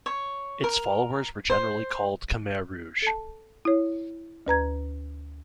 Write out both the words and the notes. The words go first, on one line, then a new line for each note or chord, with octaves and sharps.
Its followers were generally called "Khmer Rouge".
C#5
A#4
C5
A4 A5
E4 C#5
D2 B4 A#5 G#6